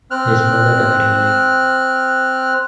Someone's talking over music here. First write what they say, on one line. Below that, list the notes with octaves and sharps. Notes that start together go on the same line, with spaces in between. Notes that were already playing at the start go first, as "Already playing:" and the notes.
His mother died early.
C4 F6 F#6